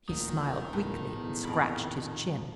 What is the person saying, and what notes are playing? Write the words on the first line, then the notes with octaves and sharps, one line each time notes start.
He smiled weakly and scratched his chin.
D1 A1 E2 A#2 D#3
A#1 A2
E2
F2 A#2 B5